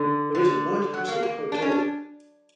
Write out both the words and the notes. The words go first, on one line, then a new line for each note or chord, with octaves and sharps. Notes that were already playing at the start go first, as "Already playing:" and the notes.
There is a lighthouse on Po Toi.
Already playing: D3
D3
F#3
A#3
A#3
D4
C#4
D4